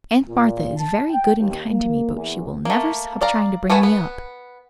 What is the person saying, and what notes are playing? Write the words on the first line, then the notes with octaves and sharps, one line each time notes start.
Aunt Martha is very good and kind to me, but she will never stop trying to bring me up.
A#2
A5
G5
D#2
A#3
E2
A3 A#3
D5 F5 A#5
A3 B3 F#4 B4 G#5
B3